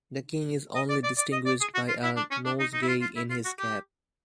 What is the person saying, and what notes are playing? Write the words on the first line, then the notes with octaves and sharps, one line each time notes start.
The king is only distinguished by a nosegay in his cap.
D#5
D5
D5
D5
D#5
D5
G#4
F#4
F4
E4
D4
C#4
D4
D#4
D#4
E4
F4
F4
E4
F4
F#4
G4